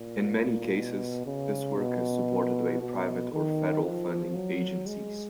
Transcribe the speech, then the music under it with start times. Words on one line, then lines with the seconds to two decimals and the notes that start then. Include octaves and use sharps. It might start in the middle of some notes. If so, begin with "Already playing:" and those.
In many cases, this work is supported by private or federal funding agencies.
Already playing: A#2
0.75 B2
1.26 C#3
1.78 B2
2.81 B2
3.32 D#3
3.84 F3
4.35 F#3
4.87 G#3